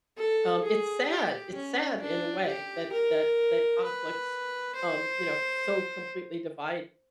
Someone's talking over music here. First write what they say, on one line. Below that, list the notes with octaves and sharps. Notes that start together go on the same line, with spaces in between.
um, it's sad, it's sad in a way that that that conflicts, um, you know, so completely divide
A4
G#4
G4
C#4
D4
G4
A#4
B4
C5